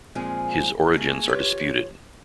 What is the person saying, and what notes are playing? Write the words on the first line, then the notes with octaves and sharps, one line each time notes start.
His origins are disputed.
A#2 F3 G#3 C4 F4 G#4
A3 A#3 F#4 G#4
F4 G4 B4 C#5